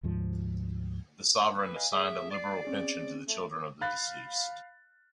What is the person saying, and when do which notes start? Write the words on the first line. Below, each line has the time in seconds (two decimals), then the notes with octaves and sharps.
The sovereign assigned a liberal pension to the children of the deceased.
0.03 D2 G#2 F3
1.58 B4
1.76 D#5 F5 G#5
1.92 G#4 E5 D6 D#6
2.31 D5 A6 C7
2.65 C4 C#4 G#4
3.28 A3
3.81 F5 B5 F#6 A6